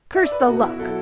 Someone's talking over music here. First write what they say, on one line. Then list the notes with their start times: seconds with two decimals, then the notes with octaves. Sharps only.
Curse the luck!
0.15 E5
0.23 D5
0.32 B4
0.40 A4
0.48 B2 F#4
0.59 E4
0.64 B2
0.69 F#4
0.79 F#3 E4 A4